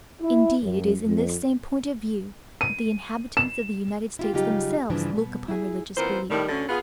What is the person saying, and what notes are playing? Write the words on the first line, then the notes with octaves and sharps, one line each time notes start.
Indeed, it is in this same point of view that the inhabitants of the United States themselves look upon religious belief.
E4
F#2
F2
D#7
E7
E4 F4 G4
C#3 F#3 G3 D#4 F4 G4
G2 C#3 E3 F3 D4
B2
E4 G#4
A#2 E3 B3 C4 A#4 C5
A2 D#3 G3
D2 D3 F#3 C#4
B3 F4 G#4